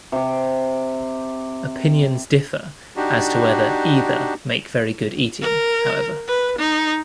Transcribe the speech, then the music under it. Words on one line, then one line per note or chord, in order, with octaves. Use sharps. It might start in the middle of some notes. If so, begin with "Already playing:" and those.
Opinions differ as to whether either make very good eating, however.
C3 G4
D4 D#4 F#4 G4
A#4
B4
D#4